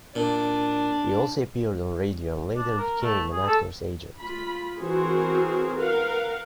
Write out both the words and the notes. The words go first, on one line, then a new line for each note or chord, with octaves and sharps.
He also appeared on radio and later became an actors agent.
A#2 D4
D4
A#4
A3
G#4
A4
F4 B5
E3 C4 F#4 G#4 A#4 C5
A#4 B4 F5 F#5